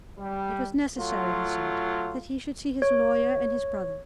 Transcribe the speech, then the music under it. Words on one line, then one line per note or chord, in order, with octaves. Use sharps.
It was necessary, he said, that he should see his lawyer and his brother.
G3
F#3 A3 F4
C#5